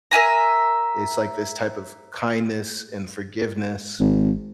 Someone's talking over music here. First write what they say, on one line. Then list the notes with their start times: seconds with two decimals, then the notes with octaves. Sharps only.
it's, like, this type of kindness and forgiveness
0.11 A#4 E5 G#5 A#5
4.00 G#1